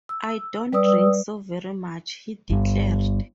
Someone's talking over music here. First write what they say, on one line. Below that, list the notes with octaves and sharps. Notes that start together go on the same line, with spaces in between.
"I don't drink so very much," he declared.
E6
G3 B4 D5 D#6 E6
G1 G2